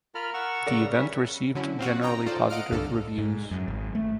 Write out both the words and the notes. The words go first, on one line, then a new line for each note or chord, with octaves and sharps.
The event received generally positive reviews.
F4 A#4 B5 F6
F#5 C#6 E6
C#3 A#4 D5
G3 C#4 E5
D3 F#3 C#4 E4
C4 F4 F#4
D#4 G5 A#5
F4 A4 C5 D5
D#5 F5 F#5 F6 D7
C2 G2 D3 A4
G#2
F#2
G#1
A3